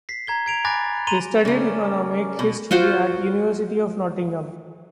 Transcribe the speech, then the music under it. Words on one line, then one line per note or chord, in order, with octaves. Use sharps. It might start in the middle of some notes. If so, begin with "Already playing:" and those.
He studied Economic History at the University of Nottingham.
B6 C7
A#5 G#6 G7
G#6 D7 F7
G#5 B5 D6 F#6 A6 A#6
A#5 C6 D#7 F7 G7
C#3 A3 C#4 A#4 D5
B2
F4 F#4 C5 F#5